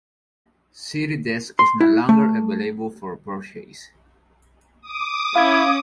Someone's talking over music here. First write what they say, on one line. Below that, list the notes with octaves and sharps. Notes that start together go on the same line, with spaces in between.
CityDesk is no longer available for purchase.
C6
E4
A3
D6 D#6
C#4 E4 F5 G#6